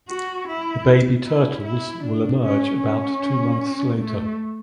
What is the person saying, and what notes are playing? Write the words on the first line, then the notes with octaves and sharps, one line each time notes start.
The baby turtles will emerge about two months later.
F#4
E4
E4
E4
D4
C#4
C#4
A3